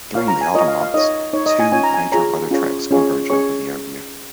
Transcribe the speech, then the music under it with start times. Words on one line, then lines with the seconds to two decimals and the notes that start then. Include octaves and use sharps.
During the autumn months, two major weather tracks converge over the area.
0.15 F4 A#4 C#5 F5
0.28 A#5
0.41 G#5
0.54 F4 A#4 C#5 D#5
0.68 F5
0.81 F5
0.94 D#4 A#4 C#5 D#5
1.33 D#4 C#5
1.46 D#5
1.60 G#5
1.72 C#4 F4 C#5 G#5
1.83 A#5
1.94 G#5
2.12 F4 G#4 C#5 A#5
2.51 C#4 F4 G#4 C#5
2.91 C#4 F4 G#4 C#5
3.30 C#4 G#4 C#5 C#6